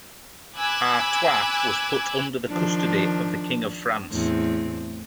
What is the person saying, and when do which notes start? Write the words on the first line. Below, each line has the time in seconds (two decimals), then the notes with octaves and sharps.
Artois was put under the custody of the King of France.
0.56 G#5 B5 D6 E6 F#6 G#6
2.48 D#3 F3 D4
4.11 E2 A2 C4